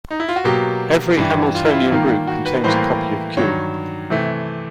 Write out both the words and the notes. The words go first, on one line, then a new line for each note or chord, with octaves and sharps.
Every Hamiltonian group contains a copy of Q.
D#4
E4
F4
F#4
B2 F#3 A#3 G4
G2 E3 G3
F4
E4
F4
G#2 D#3 G3 A#3
F#4
B4
A2 E3 G3 A#3 C5
G2 D#3 F#3 C#5
C3 E3 A3